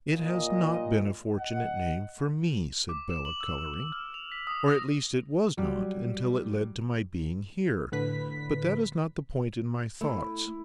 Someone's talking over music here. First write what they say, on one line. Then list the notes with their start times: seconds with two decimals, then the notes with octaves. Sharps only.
'It has not been a fortunate name for me,' said Bella, colouring--'or at least it was not, until it led to my being here--but that is not the point in my thoughts.
0.12 D#2 A#2 D#5
1.37 D#5 F#5
2.89 D6
3.10 E7
3.25 F#7
3.41 E6
3.58 E6
3.74 F#7
3.92 F6
4.14 F7
4.32 B6
4.47 D#6
4.68 A#6
5.57 F#3 G3
7.92 A2 D3 B4 B6
10.01 A3 E4